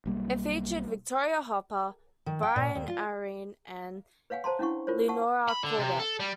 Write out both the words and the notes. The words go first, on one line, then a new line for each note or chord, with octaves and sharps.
It featured Victoria Hopper, Brian Aherne, and Leonora Corbett.
B1 G3 A#3
D#3
G5
A#2
D#2
F4
B4 C#5 F5 F#5 G#5
C5 A5 A#5 C6
C#4 D4 E4 F#5 C#6
F4 A#4 C5 C#5
F#5 A5 C#6 E6
B5
D3
C3
A4
G3